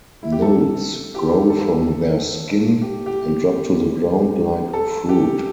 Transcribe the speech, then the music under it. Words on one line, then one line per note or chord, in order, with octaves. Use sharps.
Nodes grow from their skin, and drop to the ground like fruit.
E4
G4
A4
G4
A4
G4
G4
A4
G4